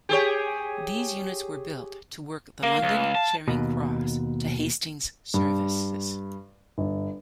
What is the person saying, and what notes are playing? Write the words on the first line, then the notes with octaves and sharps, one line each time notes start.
These units were built to work the London Charing Cross to Hastings services.
G4 G#4 C#5
A#3 F5
C#2
A5
D#2 B2
G2
G1